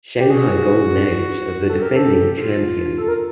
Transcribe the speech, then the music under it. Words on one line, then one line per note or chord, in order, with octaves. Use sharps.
Shanghai Golden Age are the defending champions.
G4
F#4 G#4
G4 A4
A#4
A4
F4
A4
A#4